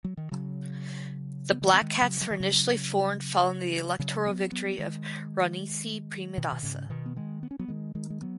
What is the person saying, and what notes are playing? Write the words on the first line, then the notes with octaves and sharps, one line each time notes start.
The Black Cats were initially formed following the electoral victory of Ranasinghe Premadasa.
F#3
D#3
C#3 F#3
B3
D#3 G#3
B3
D#3 G#3
C#3 F#3
F#3
D#3
C#3 F#3
C#3 F#3
F#3 B3
F#3 B3
D#3 G#3
B2 D#3
B2
G#2 C#3
B2 D#3
B3
D#3 G#3
B3
C#4
F#3 B3
D#3 G#3
D#3 G#3
G#3
F#3 B3